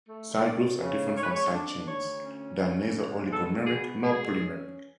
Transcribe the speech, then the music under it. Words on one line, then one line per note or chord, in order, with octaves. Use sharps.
Side groups are different from side chains; they are neither oligomeric nor polymeric.
A3
C#3 D5
C#3
G#3 C#5
B4
C#5
D4
D2 C#5
C#4
C#3
G#3
B2 A4
B2 G#4
G#3 G#4
C#4